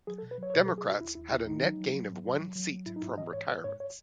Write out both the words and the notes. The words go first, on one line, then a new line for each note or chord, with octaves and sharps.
Democrats had a net gain of one seat from retirements.
F#3 G#4
A4
B2
B4
F#3 C#5
C#5
B2 B4
A4
F#3
G#4
B2 F#4
D#2 E4
D#2 E4
D#2 E4
D#3 D#4
F#3
F#3
F#3
G#2
F#3
F#3
F#3
F#3
G#2 E4
D#4
G#2 E4
E3 D#5
G#2 C#5
G#2 B4
G#2 C#5
C#5